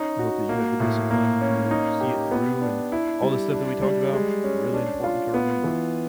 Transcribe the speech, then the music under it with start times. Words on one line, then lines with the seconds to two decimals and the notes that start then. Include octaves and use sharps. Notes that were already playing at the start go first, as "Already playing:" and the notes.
I hope that you have the discipline to see it through, and all the stuff that we talked about, really important to remember,
Already playing: C#4 D#4
0.19 F#4
0.49 A#3
0.80 A2
1.11 A#3
1.41 C#4
1.71 D#4
2.01 G4
2.31 B3
2.61 D4
2.92 E4
3.22 G3
3.53 D4
3.82 G3
4.13 G#3
4.44 C#4
4.74 D4
5.04 F4
5.34 B3
5.64 E3